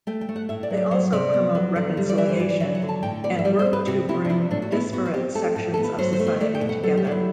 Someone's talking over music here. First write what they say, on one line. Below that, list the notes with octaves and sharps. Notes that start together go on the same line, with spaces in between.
They also promote reconciliation and work to bring disparate sections of society together.
A3 G5
G5
A3
F#5
A2 E5
D5
F#3
D5
F#3 C5
C3 D5
B3
F#3
D3
G3
D5
E3 E5
C5
E3 D5
D5
F#3 E5
F#5
D3
A5
A2 G5
B3 D5
E5
G3 D5
C5
C4
B4
C3 F#4
C3 E4
D4
E3 E4
A2 D4
F#4
B3 E4
B3 F#4
F#4
C4 G4
A3 A4
A2 A4
B3 A4
B4
F#3 C5
C5
A3
C5
A3 D5
G5
B2
F#5
F#3 A4
G4
F#3 D4
E4